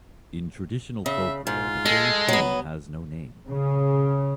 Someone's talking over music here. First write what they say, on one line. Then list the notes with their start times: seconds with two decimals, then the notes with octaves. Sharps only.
In traditional folklore, the fairy queen has no name.
1.06 C#3 E5
1.47 G#2 F4
1.86 G#3 A4
2.28 F#3 B3
3.49 C#3